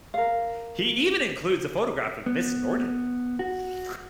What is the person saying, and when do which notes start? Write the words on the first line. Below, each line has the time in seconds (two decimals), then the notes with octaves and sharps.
He even includes a photograph of Miss Norton.
0.14 A#4 F5
2.26 B3
3.39 F#4